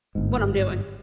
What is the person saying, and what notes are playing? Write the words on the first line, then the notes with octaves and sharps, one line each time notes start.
what I'm doing.
G1 G#2